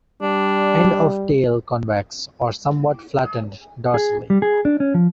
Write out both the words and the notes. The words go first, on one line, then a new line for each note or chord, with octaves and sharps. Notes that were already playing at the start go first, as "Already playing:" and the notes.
End of tail convex or somewhat flattened dorsally.
G3 D4
G#4
G3
G#4
D4
C#4
F3